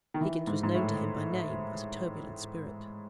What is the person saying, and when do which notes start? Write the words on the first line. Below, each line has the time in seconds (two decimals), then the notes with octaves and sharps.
Higgins was known to him by name as a turbulent spirit.
0.14 D#3
0.21 E3
0.47 G#2
0.63 G#2
0.75 A2